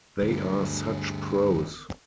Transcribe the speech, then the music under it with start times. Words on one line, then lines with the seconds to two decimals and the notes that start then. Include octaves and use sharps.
They are such pros.
0.22 D2 G2